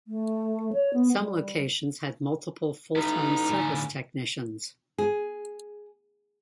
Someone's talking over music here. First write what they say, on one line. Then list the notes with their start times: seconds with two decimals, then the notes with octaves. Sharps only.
Some locations had multiple full-time service technicians.
0.08 A3
0.73 C#5
0.93 B3
1.18 G3
2.96 D#4 E4 A4 B4
3.49 A2 D3 G#5
4.98 G#4